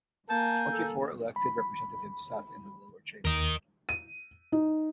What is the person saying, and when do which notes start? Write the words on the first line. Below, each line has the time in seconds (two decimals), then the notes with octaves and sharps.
Twenty-four elected representatives sat in the lower chamber.
0.30 A#3 G#5 A5 G6
0.72 A4
1.36 B5
3.25 D#2 A#4 D#5
3.89 D#7
4.52 D#4